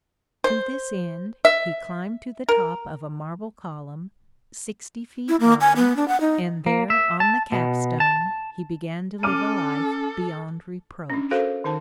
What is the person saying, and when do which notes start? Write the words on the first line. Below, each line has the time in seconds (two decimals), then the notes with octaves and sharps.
To this end he climbed to the top of a marble column, sixty feet high, and there on the capstone he began to live a life beyond reproach.
0.44 C5
1.45 E5
2.49 A#4
5.28 E4
5.40 A#3
5.61 G#5
5.76 B3
5.96 D4
6.08 F#5
6.21 D#4
6.66 A#3
6.90 E5
7.20 A5
7.52 B2
8.00 A5
9.23 C#4 A4 D6 F6 D#7
11.10 C#4 D4
11.31 F#4 A4 A#4 C5 F5
11.64 D#3 D#4 A#4 A5